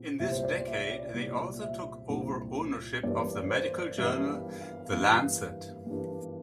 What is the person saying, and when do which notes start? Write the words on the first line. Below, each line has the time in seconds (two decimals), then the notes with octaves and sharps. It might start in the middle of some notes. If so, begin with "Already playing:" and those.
In this decade they also took over ownership of the medical journal, "The Lancet".
Already playing: A#2 C4
0.19 C2 A#2 G3 C4 E5
0.32 C5
0.44 D5
0.67 E5
0.91 D5
1.14 C2 A#2 G3 C4
1.61 E5
2.09 C2 A#2 G3 C4
3.03 G2 E3 G3 A#3 D4 D5
3.40 D5
3.50 C5
3.98 G2 E3 G3 A#3 D4 E5
4.29 F5
4.61 F5
4.92 G2 E3 G3 A#3 D4 F5
5.86 G2 E3 G3 A#3 D4